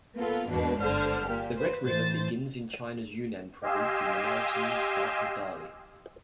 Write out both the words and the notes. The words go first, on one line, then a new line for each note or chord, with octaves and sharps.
The Red River begins in China's Yunnan province in the mountains south of Dali.
A#3 B3 F4 A4
E2 G#2 B2 A#3 D4
G1 D3 C5 F6
A#2 G4
B4 C5
A2 E3 C5 A6
G4 D#5 F5 G#5 C6 E6